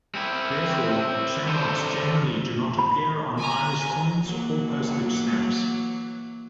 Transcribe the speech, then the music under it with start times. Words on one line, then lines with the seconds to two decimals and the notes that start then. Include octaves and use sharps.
Therefore, shamrocks generally do not appear on Irish coins or postage stamps.
0.15 C4 E4
1.48 D3 C5
2.78 B5
3.37 G#5 A#5
4.24 E3 F#3 A#3